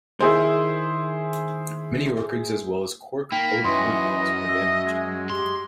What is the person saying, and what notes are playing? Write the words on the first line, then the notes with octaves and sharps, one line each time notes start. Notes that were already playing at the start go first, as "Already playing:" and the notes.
Many orchards as well as cork oak woodlands were damaged.
D#3 E4 G#4 C5
A#3 D#4 G5 B5
F#2 E3 D#5 C6
E5 E6
G#3
G4 C6